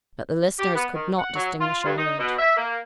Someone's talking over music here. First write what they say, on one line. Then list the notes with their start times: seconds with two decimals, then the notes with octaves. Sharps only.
But the listeners could not distinguish a word.
0.59 G4
0.75 B3
0.93 D#3
1.19 F#5
1.35 F#3
1.61 F4
1.85 G2
1.98 D#4
2.18 B2
2.38 E5
2.57 A#3